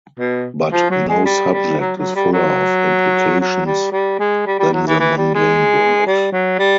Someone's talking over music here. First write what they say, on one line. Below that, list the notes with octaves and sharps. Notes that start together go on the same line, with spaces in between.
But "no" subject is fuller of implications than the mundane world!
B2
F3
F#3
G#3
G3
G3
F#3
F#3
G3
F#3
F#3
G3
G3
G#3
G3
G3
F#3
E3
E3
G3
G#3
G3
F#3
G3